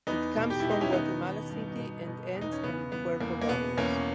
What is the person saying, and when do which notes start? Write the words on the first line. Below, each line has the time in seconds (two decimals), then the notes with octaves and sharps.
It comes from Guatemala City and ends end Puerto Barrios.
0.07 E2 B3 D#4
0.36 B2
0.50 G4
0.60 B2 E4
0.70 D#4
0.81 C#4 E4
0.92 D#3 B3 D#4
1.21 D#3
1.50 G2
1.78 B2
2.07 B2
2.35 E2
2.41 D#4
2.52 C#4
2.63 C#3 B3
2.92 E3 B3
3.20 E2 A#3
3.41 A#3
3.49 B2 B3
3.77 E2 A#3 C#4